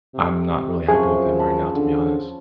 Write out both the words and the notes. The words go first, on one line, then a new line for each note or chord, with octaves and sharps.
I'm not really happy with him right now, to be honest.
C3
F#2 C3 F3 C#4 G#4
A5 B5
D3